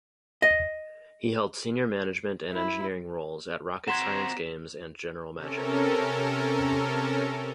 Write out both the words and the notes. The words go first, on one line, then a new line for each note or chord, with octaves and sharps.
He held senior management and engineering roles at Rocket Science Games and General Magic.
D#5
E4
C4 F#4 F#5 A#5 C6 G#6 B6 E7
C3 C#4 A4 A#4